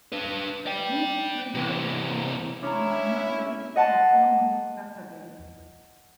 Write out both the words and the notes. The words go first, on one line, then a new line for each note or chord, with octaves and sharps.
This trigger is called on an update to a phone book database.
D4 B4
D5 G5
C3 E3
C#4 D4 E4 E5 A#5
D#5 F#5 A5 C6